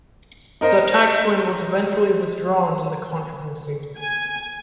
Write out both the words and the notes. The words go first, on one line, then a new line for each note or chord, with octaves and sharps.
The tax plan was eventually withdrawn in the controversy.
D#4 A#4 C5 D#5
G#5